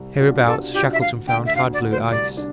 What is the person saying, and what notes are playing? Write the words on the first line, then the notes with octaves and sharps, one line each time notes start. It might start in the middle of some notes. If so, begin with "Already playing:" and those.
Hereabouts Shackleton found hard blue ice.
Already playing: C2
B2 G3 D4 F4
C2 A4
B2 G3 D4 F4 G4
E5
D2 F5
D3 A3 G5
E5
D2 F5
D5
D3 A3
C5
C2 D5
D4